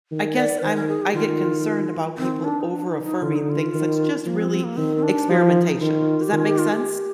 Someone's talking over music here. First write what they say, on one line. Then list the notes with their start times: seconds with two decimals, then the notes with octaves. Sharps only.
I guess I'm I get concerned about people over-affirming things that's just really experimentation. Does that make sense?
0.11 D#3
0.37 D5
0.59 A#4
0.62 D#3 C5
0.76 A#4
0.89 G#4
1.02 G4
1.14 D#3 F4
2.18 D#3 C4
2.44 D4
2.61 D#4
2.71 D4
2.87 D#4
3.04 D#4
3.22 D3 F4
3.36 D#4
3.50 F4
3.74 D#3
4.25 F3 A#3
4.38 C4
4.51 C4
4.64 A#3
4.77 D#3 C4
4.96 C4
5.03 D4
5.29 F3 D#4
5.41 F4
5.55 D#4
5.81 D#3 F4
6.22 G4
6.32 D#3 F4
6.46 G4
6.58 F4
6.72 G4